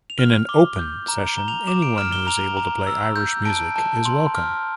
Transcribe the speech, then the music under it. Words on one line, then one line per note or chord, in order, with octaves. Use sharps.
In an "open" session, anyone who is able to play Irish music is welcome.
F7
F6
F7
D6 G7
G6
A#5
G7
A#5
F7
D6 E7
D7
F6 E7
G7
A#5 F7
A#5
E6
G6
A5 D7
A5
C6
F6